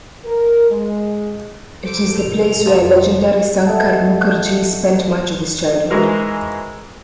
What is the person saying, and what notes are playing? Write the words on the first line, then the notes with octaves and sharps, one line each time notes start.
It is the place where legendary Sankar Mukherjee spent much of his childhood.
A#4
G#3
A4 C5 D6
F#1 A#2 F7
F1 F3 F#3
A4 D#5 E5 F#5 A5
E3 G#3 D#4 F#4 A#4 C5